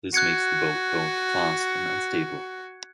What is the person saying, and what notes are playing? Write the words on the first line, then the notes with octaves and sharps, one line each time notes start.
This makes the boat both fast and unstable.
F#4 F#6 G#6 C#7